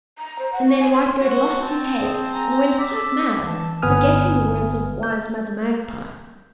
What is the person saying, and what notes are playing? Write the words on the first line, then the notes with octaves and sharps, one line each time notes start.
And then Whitebird lost his head and went quite mad, forgetting the words of wise Mother Magpie.
A#5
C5
F#5
C#6
G#5
C6
F#4
C4 A5
G#4
G#5 A#5
D5 E6 B6
E3 A5
G1 B3 B4 G#5 D#6 F6
G6